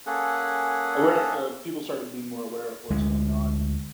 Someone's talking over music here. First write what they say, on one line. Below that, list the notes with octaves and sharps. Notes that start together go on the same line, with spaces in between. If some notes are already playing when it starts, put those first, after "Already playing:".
aware uh, people started being more aware of what's going on.
A#3 C#4 G#4 A4 F#5
D2 G#3